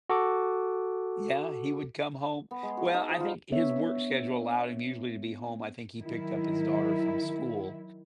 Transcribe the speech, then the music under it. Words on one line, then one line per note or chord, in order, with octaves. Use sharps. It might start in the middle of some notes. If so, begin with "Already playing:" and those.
yeah, he would come home well, I think his work schedule allowed him usually to be home I think he picked up his daughter from school
F#4 A4 D6
B3
G#3
F#4
D#4
F3
F4
B3 D4 C#5 E5
D#3 F#3 E4